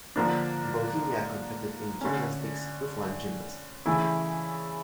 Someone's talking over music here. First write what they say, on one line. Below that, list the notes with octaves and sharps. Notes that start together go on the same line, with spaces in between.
Bohemia competed in gymnastics, with one gymnast.
D3 F3 A#3 D4
D3 A3 C#4
C#3 E3 A3 E4